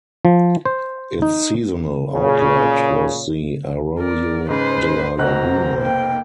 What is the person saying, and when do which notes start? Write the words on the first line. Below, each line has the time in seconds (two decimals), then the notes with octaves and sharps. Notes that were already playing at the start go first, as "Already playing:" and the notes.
Its seasonal outlet was the Arroyo de la Laguna.
0.25 F3
0.65 C5
1.22 D#4
2.14 A#2 C#3
3.99 A#4 D5
4.49 G#2 C#3 B4 C5
5.18 F1 B1 F#4 C5 A#5 F#6
5.82 A#3 G5